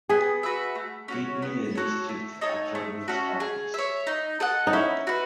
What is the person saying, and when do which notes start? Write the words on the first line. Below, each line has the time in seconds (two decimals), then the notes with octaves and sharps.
Give me the District Attorney's office.
0.09 B3 G#4
0.43 F#4 B4 E5
0.75 A3
1.08 C#4 F#4 C#5
1.42 B3
1.75 F#4 A4 C#5
2.09 A3
2.41 D#4 A4 C#5
2.75 A3
3.08 C#4 F#4 A4
3.40 G#4
3.74 C#5 E5
4.07 D#4
4.40 A4 D#5 F#5
4.67 D#4
4.73 C#4 E4
5.07 F#4 B4